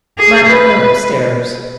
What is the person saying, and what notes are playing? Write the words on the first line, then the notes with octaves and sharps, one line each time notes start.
Margaret went upstairs.
G#4
B4